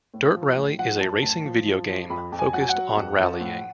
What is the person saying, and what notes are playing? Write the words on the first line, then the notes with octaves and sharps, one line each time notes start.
"Dirt Rally" is a racing video game focused on rallying.
A2
F3
A2
F3 F#5
F#2 A5
A2 A5
F3
F3
F3
F2 B5
F2
G#5
F#3 F#5
G#5
F#5
F#3
F2
F3
A2